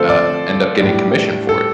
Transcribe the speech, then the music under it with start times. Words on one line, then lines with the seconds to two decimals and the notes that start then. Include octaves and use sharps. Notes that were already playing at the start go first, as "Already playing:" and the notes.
uh, end up getting commission for it.
Already playing: D3 F3 A3 C4 A4 C5 F5
0.09 D5
0.79 A2 G3 D4
1.49 A4